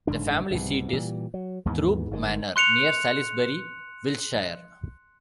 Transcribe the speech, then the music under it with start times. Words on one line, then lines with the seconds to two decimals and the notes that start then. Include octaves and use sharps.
The family seat is Throope Manor, near Salisbury, Wiltshire.
0.07 F#1 G#2 D3 D4
0.51 C2 G#2 B2
0.93 A#2 E3 G3
1.34 F#3
1.65 D#2 G#2 E3 B3
2.11 G1 G#2 B2 D#3
2.56 C6 F#6 C#7 F7